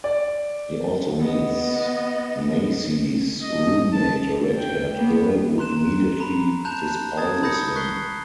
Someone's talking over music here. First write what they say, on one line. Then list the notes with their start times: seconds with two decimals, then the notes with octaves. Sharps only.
He also meets Maisie's roommate, a red-haired girl who immediately despises him.
0.04 D5
1.19 B3 D#5
3.43 D#5
3.93 A5
4.58 G5
4.96 A#3 B3
5.58 A#5 C6 F#6 E7
6.20 A#5 B5
6.65 A5 A#5 F#6 G6 E7 F7
7.17 A5 D#6 G#6 A6
7.43 B5 D#6 G6 A6 A#6 C#7
7.75 C#6 F#6 B6 C7 G7